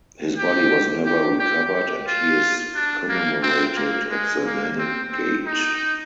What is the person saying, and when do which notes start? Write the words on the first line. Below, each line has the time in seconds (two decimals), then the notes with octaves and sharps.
His body was never recovered and he is commemorated at the Menin Gate.
0.38 G4
1.05 G4
1.39 G4
1.73 G4
2.07 F4
2.75 D4
3.09 A#3
3.42 C4
3.76 A#3
4.10 G#3
4.44 A#3
4.78 C4
5.12 C4
5.46 D#4